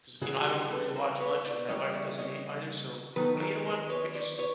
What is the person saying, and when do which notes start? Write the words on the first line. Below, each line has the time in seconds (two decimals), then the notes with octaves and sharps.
'cause, you know, I don't really watch much and my wife doesn't ei either. So but, you know what? We just
0.22 C#3 E3 G3 F#4 G#4
0.47 G4 A4
0.71 A4 B4
0.96 A#4 C5
1.20 B4 C#5
1.45 C5 D5
1.69 C#3 E3 G3 A#3 C#4 C#5 D#5
1.94 D5 E5
2.18 C#5 D#5
3.16 D#3 F#3 B3 D#4 A4 B4
3.41 G#4 A#4
3.65 A#4 C5
3.90 B4 C#5
4.15 C5 D5
4.39 B4 C#5